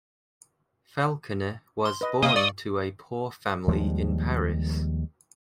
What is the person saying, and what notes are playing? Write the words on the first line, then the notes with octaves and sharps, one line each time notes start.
Falconet was born to a poor family in Paris.
C6
B4 D#5
C3 A#3 D#5 F5 D#6
D5 C#6 D6
D#2 F3 G3 G#3